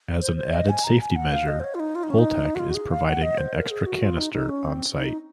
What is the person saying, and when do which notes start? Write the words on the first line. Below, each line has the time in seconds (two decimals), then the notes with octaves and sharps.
As an added safety measure, Holtec is providing an extra canister on site.
0.21 C5
0.36 C5
0.53 D#5
0.69 G#5
0.84 A#5
1.00 G#5
1.16 F#5
1.32 F5
1.48 D#5
1.60 C5
1.64 C#5
1.75 F4
1.80 D#4
1.95 F4
2.03 D#4
2.10 C#4
2.19 D#4
2.55 F#4
2.59 F4
2.70 F#4
2.75 G#4
2.91 F5
3.07 F#5
3.22 D#5
3.38 C5
3.54 A#4
3.71 G#4
3.86 F#4
4.02 F4
4.18 D#4
4.33 D#4
4.49 C#4
4.65 C4
4.97 D#4